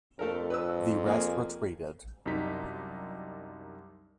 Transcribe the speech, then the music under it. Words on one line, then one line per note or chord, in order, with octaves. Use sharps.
The rest retreated.
F2 A3 A4 A#4
B4 D#6 E6
A#3 G#4
C2 F#2 G3 D#4 B6